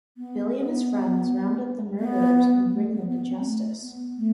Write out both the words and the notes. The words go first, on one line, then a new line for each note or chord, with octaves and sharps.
Billy and his friends round up the murderers and bring them to justice.
B3
B3
B3
A3
B3
B3
C4
A3
B3
A3